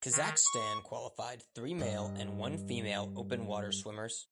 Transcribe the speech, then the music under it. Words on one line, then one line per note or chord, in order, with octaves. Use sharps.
Kazakhstan qualified three male and one female open water swimmers.
D#3
C#6
G2 D#5